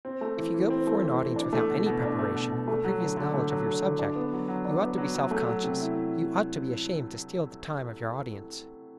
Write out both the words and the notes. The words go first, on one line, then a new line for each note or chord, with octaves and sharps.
If you go before an audience without any preparation, or previous knowledge of your subject, you ought to be self-conscious--you ought to be ashamed to steal the time of your audience.
C4
A3
E3
E3
C4
A3
E3
E3
D4
A3
B2
B2
D4
A3
B2
B2
A3
F#3
D3
D3
A3
F#3
D3
D3
D4
B3
F#3
F#3
D4
B3
F#3
F#3
A3
F#3
C3
E4